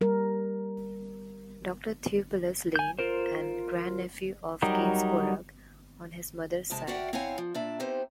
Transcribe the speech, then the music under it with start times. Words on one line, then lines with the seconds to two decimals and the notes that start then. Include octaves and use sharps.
Doctor Theopilus Lane, and grandnephew of Gainsborough on his mother's side.
0.01 G3 A#4
2.76 G#5 G6
2.99 F4 A#4 C5
4.62 F#3 G3 D#4 A#4 G5
6.70 F2 C3 G#3 A5
6.87 F#4 A#4 D5 E5 F#5 G5
7.13 C4 E4 C#5 F5 F#5 G#5
7.38 F3
7.54 A#2 D4 E5
7.79 B3 C4 D#4 G4 C5